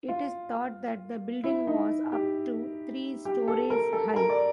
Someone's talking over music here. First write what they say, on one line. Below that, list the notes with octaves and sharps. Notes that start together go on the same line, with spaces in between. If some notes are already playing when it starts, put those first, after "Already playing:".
It is thought that the building was up to three storeys high.
F4
E4
D#4
G4
G4
A4
A#4
A4
A#4
D5